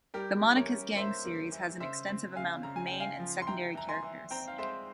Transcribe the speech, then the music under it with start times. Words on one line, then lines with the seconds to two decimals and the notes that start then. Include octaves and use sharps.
The "Monica's Gang" series has an extensive amount of main and secondary characters.
0.14 G3 G4 A#4
0.41 E3
0.56 A#4 C#5
0.69 C#4
0.97 A#3 C5 E5
1.25 A#3
1.52 E3
1.80 C#3 C5 E5
2.08 C4
2.35 C#3 F5 G#5
2.63 C#3 A#5
2.76 G#5
2.87 C#3 G5
3.00 F5 G#5
3.20 F3
3.42 C6
3.47 E3 G5 A#5
3.75 E3 A#5
3.88 G#5 C6
4.03 E3
4.31 C4 G5 A#5
4.48 F5
4.58 G#3 C5 E5